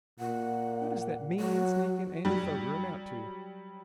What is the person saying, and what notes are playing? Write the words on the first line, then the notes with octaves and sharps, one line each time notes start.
What does that mean, sneaking Andy Foger amount to?
A#2 F#5
F#3 F#4
F#3 G3